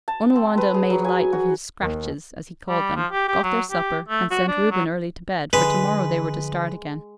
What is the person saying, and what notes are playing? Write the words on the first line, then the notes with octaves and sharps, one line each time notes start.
Onawandah made light of his scratches, as he called them, got their supper, and sent Reuben early to bed, for to-morrow they were to start again.
A5
C4
B4
G#4
F#3
G#5
F#4
D#2
G3
F3
G4
G4
F#3
G4
A3
F#4
D4
F#3
D3 F3 G#3 B4